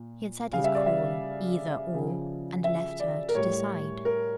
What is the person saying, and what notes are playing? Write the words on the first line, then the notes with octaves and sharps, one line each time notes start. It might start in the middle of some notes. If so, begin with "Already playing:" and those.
He had said his cruel "Either--or--" and left her to decide.
Already playing: A#2
C#3 G3 F5
E5
D5
E5
C#3 F3
E5
D5
A#4
A2 G3 C#5
A#4